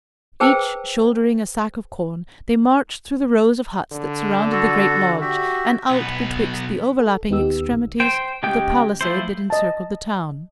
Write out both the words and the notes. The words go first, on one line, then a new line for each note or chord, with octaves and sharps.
Each shouldering a sack of corn, they marched through the rows of huts that surrounded the great lodge, and out betwixt the overlapping extremities of the palisade that encircled the town.
G#4 B4 C5 G5 A5 E6
D3
F#4 A4
F#4 G4 E5
B1 B3
A4
D#2 B3 D#4 G4 E6
A#1
C5 G5
C#3 G#3 G4 G5 G6
F3 A3 E4 C5
D#5 A5